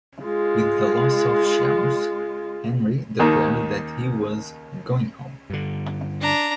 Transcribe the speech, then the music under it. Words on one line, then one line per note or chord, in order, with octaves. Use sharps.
With the loss to Sheamus, Henry declared that he was "going home".
G#3 F4
D#2 D#3
G2 D3
D4 A#5